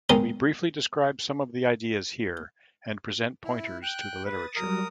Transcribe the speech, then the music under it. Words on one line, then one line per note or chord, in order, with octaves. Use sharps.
We briefly describe some of the ideas here, and present pointers to the literature.
B1 D#3 G#3 D#4 D#6
E4
G5 F#6
B4 D#6 A6
F#3 G3 F#4 A#4 D#6